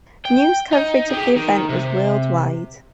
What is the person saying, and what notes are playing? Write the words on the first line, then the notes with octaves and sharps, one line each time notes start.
News coverage of the event was worldwide.
G5
D#4
G4 G#4
D#3
C3